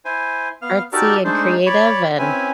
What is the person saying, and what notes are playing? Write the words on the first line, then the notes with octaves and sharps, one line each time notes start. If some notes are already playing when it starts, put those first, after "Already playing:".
artsy and creative, and,
E4 C5 G#5
B3 F5 F6
D#4 F#4 G4 A4 A#4 D5
G#3 A3 D4 D#4 C5
C#5 D5 B5 C#6
C4 C#4 E4 B4 G#5